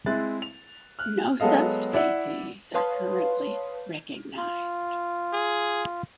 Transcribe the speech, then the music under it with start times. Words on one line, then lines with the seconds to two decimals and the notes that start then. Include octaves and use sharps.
No subspecies are currently recognised.
0.06 G#3 C4 E4 F#6 A6
0.42 F7
0.99 F6 F#6
1.40 F#3 G#3 B3 A4 D#5 F5
1.93 E4 D5 F#5 E6
2.74 B4 C#5 F5 A5 C6 D#6
4.37 F4
5.33 G#4